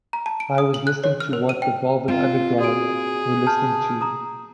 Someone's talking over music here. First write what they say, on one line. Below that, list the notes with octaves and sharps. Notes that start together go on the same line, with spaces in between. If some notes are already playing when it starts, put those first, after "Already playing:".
I was listening to what The Velvet Underground were listening to.
A#5
A5
D7
D#6
F#7
F#6
C#5
F6
A#4
D#7
G5
C4 F4
F#4 G#4 D7
A5 F6 G6
A#5 D#6